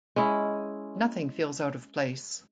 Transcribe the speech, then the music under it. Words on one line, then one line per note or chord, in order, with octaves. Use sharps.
Nothing feels out of place.
G#3 C#4 E4